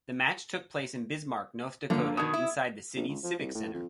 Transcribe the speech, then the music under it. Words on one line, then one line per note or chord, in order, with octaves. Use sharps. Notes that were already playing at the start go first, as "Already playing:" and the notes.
The match took place in Bismarck, North Dakota inside the city's Civic Center.
D3 F3 A#3
B2 D#3 D#6 G#6
E4
A#1
C#2
F3
C2
A2
F2